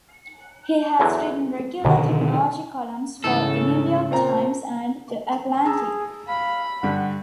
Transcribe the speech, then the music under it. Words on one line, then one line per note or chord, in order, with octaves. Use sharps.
He has written regular technology columns for "The New York Times" and "The Atlantic".
E2 D3 F#3
D#2 B2 D3 D#3
G#2 C#3 E3 A3 A4
A#2 C4 A#5
G#4 A5 A#5 E6
F5 B5
G2 D3 F#5